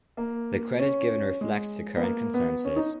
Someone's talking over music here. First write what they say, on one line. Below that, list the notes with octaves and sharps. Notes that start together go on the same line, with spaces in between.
The credit given reflects the current consensus.
A#3
C#4
G#3
B3
A#3
B3
C#4
D#4